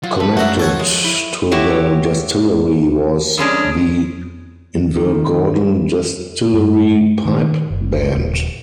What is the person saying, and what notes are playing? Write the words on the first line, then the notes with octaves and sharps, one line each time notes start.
Connected to the distillery was the Invergordon Distillery Pipe Band.
F#3 F4
A4 B4
F#2 D4 F#4 A#4 E5 F#5
F3 A4 C#5 F#5 C#6
G#3
E4
E4 F#4 G4 C#5
F2 G#3 C#4 D4
D#3
G2
D#3
F#1
D#1